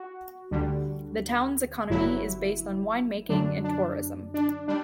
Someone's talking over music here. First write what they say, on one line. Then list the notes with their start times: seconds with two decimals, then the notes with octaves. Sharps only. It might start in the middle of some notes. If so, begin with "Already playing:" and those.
The town's economy is based on wine making and tourism.
Already playing: F#4
0.51 D2 D3 G3
1.90 G1 G2 F#3 E4
3.29 F#2 D3 F#3 D4
3.64 D4
4.34 D4
4.68 G3 D4